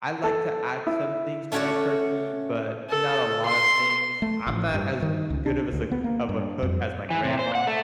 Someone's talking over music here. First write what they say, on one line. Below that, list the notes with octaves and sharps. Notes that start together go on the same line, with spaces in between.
I like to add some things to my turkey, but not a lot of things, I'm not as good of as a of a cook as my grandma,
A4 A5
E4
A3 C#4 F#4 C#5 D5 F#5
A4
C6
A3
A1
G2
D#3
C#2
D4
D2
B3
A#3
G2
F2
E3
C3
C5
F#5
A3